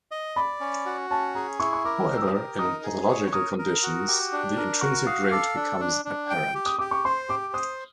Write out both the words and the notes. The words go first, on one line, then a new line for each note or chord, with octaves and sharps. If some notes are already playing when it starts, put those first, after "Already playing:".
However, in pathological conditions, the intrinsic rate becomes apparent.
D#5
D5 B5
C#4
F#4
C#4 A5
G#4 A#5
E4 C#6
C#6
A#4 D6
G4
E6
D#6
A#4
D#4 D#6
G#4
C#5
A#4 D#6
A#4
F#4
G4
D4
A#4
F#4 C#6
F5 D#6
A4 D6
D4
D4
D4
G5
G4
D#6
G4 D6
C#6
C5 C6
G4 D6
C5 D#6